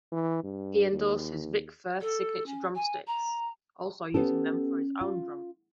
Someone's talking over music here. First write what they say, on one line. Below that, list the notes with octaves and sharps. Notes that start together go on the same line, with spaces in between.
He endorses Vic Firth signature drum sticks, also using them for his own drumming.
E3
G2
D#2
A4
C#4
G#5
A#5
B3 C#4 G4 A4
F4